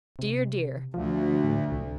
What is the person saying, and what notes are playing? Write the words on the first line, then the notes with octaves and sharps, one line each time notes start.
Dear, dear!
C3
D2 F3
A2
C2